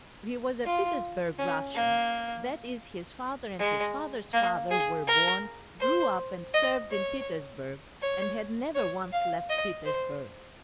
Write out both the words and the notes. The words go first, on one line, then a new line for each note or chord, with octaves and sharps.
He was a Petersburg Russian; that is, his father and his father's father were born, grew up and served in Petersburg and had never once left Petersburg.
F4
C#4
A#3
G#3
A#3
G#4
A#4
C5
D#5
C#5
C#5
C#5
F5
D#5
C5